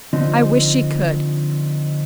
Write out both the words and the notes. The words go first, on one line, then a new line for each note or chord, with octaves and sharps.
I wish she could.
D3 F3 C4 D#4